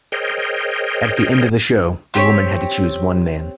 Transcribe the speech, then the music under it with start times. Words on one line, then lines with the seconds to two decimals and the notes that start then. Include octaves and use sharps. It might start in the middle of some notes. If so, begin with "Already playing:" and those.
At the end of the show, the woman had to choose one man.
0.12 G#4 A#4 C5 C#5 D#5 G5
2.14 C4 G4 B4 C#5